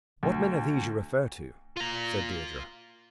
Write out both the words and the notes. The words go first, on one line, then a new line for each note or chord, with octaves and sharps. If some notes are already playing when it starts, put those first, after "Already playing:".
"What men are these you refer to?" said Deirdre.
D2
F4 A#5